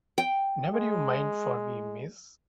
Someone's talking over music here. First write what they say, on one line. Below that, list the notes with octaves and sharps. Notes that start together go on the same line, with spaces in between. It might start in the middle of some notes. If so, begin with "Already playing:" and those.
Never you mind for me, miss.
G5
G#3